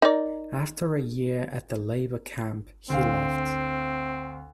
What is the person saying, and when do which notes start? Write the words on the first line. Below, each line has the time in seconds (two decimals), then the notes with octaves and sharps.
After a year at the labor camp he left.
0.02 D#4 A#4 D5
2.90 D2 C4 F5